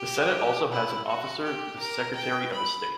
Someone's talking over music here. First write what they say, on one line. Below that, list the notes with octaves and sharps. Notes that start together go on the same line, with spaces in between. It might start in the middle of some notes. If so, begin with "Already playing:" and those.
The Senate also has as an officer the Secretary of the Senate.
Already playing: G4
E4
F#4
G4
A#4
G5
B5